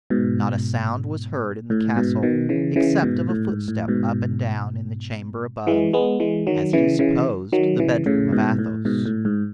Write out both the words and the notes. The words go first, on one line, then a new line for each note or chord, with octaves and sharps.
Not a sound was heard in the castle, except of a footstep up and down, in the chamber above--as he supposed, the bedroom of Athos.
G#2 B2
A2
G#2 B2
B2 D#3
C#3 E3
C#3 E3
G#2 B2
A2
G#2
A2
G#2 B2
E3 G#3
G#3 B3
E3 G#3
D#3 F#3
C#3 E3
C#3 E3
D#3 F#3
C#3 E3
A2 C#3
G#2 B2
A2
G#2 B2
A2
G#2